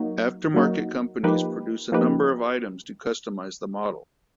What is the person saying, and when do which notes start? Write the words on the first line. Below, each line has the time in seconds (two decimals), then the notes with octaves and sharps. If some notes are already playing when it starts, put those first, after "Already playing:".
Aftermarket companies produce a number of items to customize the model.
Already playing: F#3 A#3 D#4 F#4
0.54 F#3 A#3 D#4 F#4
1.23 F3 A#3 D#4 G4 B4
1.92 F3 A#3 D#4 G4 B4